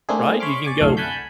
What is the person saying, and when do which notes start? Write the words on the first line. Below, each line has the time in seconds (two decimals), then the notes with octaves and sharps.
Right? You can go
0.09 A3 A#3 C4 D4 E4 G#4
0.40 C#5 B5 C6 D6 F6
0.64 D5 G#5 C#6 D6
0.81 C2 F#2 D3 A3 F5
0.97 F#5 G#5 A5 B5 G6